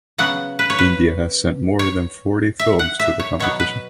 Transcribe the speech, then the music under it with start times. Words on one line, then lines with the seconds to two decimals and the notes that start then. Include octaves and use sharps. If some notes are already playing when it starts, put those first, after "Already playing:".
India has sent more than forty films to the competition.
0.18 C#3 F#3 B3 F#5
0.59 B4
0.70 C#5
0.79 B4
1.79 C#5
2.59 E5
2.79 F#5
2.99 E5
3.20 C#5
3.40 B2 F#3 B3 C#5
3.60 B4